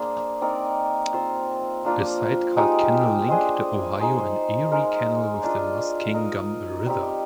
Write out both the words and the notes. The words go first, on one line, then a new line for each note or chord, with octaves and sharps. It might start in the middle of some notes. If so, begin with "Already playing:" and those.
A side cut canal linked the Ohio and Erie Canal with the Muskingum River.
Already playing: A#3 D4 G#4 C5
C4 D#4 A#4 D5
C4 F4 C5
F3 A#3 D4 F4
G#3 D#4 G4
D4 G#4 C5 D#5
D#4 G#4 C5
G#3 D#4 A#4
D4 F4 A#4 D#5
D#4 A#4 D#5
G3 C4 D#4 G4